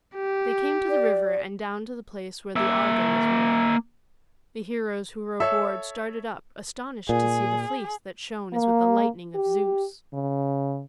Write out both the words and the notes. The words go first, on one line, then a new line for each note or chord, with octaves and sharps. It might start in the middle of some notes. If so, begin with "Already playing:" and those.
They came to the river and down to the place where the Argo was moored. The heroes who were aboard started up, astonished to see the Fleece that shone as with the lightning of Zeus.
G4
D5
A#3 E5
A4 C#5 E5
A#2 G#4
A#3
G4
C#3